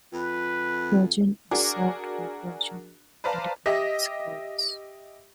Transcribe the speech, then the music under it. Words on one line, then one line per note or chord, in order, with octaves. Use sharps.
Burgin is served by Burgin Independent Schools.
F2 B4
D4 F#4 G#4 A#4 D6
B4 C5 D5 F5 A5 A#5
G4 D#5 E5